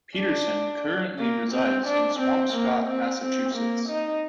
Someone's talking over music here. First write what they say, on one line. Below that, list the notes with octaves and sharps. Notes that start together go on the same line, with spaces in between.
Pederson currently resides in Swampscott, Massachusetts.
D4
A#3
C4
D4
C4
A#3
C4
C4
A#3
D#4